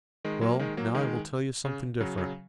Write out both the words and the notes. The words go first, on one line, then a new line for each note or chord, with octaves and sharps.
Well, now I will tell you something different.
D#3 G#3
F#3 A#3
D#3 G#3
F#3 A#3
D#3 G#3
C#3
C#3 F#3
C#3 F#3